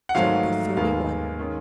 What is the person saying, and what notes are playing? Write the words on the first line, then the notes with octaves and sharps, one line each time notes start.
Chapter XXXI.
F#5
G#2 D#3 F#3 A3 C4 F5
D#2 D#3 G#3 B3 F5
D#3 G#3 C#4